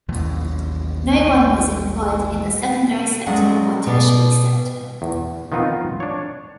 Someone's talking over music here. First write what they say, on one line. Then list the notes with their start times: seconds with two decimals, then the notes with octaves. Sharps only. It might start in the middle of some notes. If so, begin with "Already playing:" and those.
No one was employed in the secondary sector or tertiary sector.
0.08 A1 D#2 E3 F#3
3.27 F#3 G#3 A3 C#4 D5 F#5
3.87 B2 D5
5.02 E2
5.52 D#3 F3 B3 C4 D#4 F4
6.00 D4 C#5